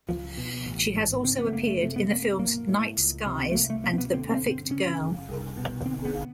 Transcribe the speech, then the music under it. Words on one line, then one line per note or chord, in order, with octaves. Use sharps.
She has also appeared in the films "Night Skies", and "The Perfect Girl".
C#2 F3
B2
A1
G#2
C#3 C4
B3
A3
F#1 A#3
A3
C3 A3
B3
F#1 A#3
A#1 A#3
A2
C#2
C3
A3
C2 A#3
A3
B2 A#3
C4
B3
D3 C4
C4
G1
C4
C#3 C#4
F#1
C2
B2
D3 C4
B3